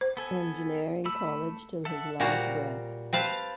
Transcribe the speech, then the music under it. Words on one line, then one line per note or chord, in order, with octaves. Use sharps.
Engineering College till his last breath.
C5
B3 A4 G#5
A3 B5 E6
A4 E5 F#5
A#2 G3 F#4 C5 A#5
C4 B4 F5 A5